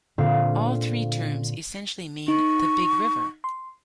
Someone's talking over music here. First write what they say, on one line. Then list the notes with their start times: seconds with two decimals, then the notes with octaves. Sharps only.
All three terms essentially mean "the big river".
0.18 A#2 D3 C4 F5
2.28 D#4 C#6
3.44 C6